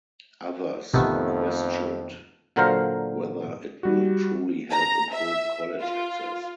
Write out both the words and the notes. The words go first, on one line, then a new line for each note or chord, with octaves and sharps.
Others questioned whether it will truly help improve college access.
A1 F2 C3 D#3 A3 B3
A#2 D3 F#3 A#4 C5 F5
G3 F#4
A#5
E5
F4